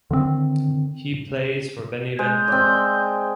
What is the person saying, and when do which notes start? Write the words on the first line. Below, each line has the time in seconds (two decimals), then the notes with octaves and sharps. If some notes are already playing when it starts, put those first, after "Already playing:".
He plays for Benevento.
0.11 D3 D#3 G#3 C4
2.19 G#3 G6
2.48 C4 D5